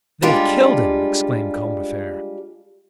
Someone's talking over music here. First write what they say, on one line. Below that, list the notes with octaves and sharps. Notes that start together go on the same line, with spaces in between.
"They have killed him," exclaimed Combeferre.
G3 G#3 D4 F4 G4